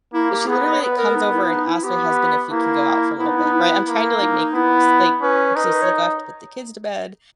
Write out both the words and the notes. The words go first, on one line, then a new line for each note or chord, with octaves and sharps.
she literally comes over and asks my husband if we can go out for a little bit. Right? I'm trying to, like, make s like excuses, like, "Oh, I have to put the kids to bed,"
A#3 E4
G4
B3 G#4
D#5
C#5
B3 B4
A#4
D#4
E4
D#4
E4
B3 G4
A#3 E4
B3 E4
D#4
E4
D#4
E4
A#3
D#4
B3 E4
C#4 B4
D#4 B4
A#4
B4
C#5